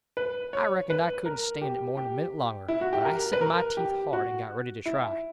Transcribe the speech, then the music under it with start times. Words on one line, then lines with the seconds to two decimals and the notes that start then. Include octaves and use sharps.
I reckoned I couldn't stand it more'n a minute longer, but I set my teeth hard and got ready to try.
0.17 B4
0.53 C#5
0.90 B4
1.26 A#4
1.62 G4
1.97 G4
2.68 E4
2.81 F#4
2.93 G4
3.05 A#4
3.33 B4
3.41 A#4
3.77 G4
4.13 F#4
4.86 E4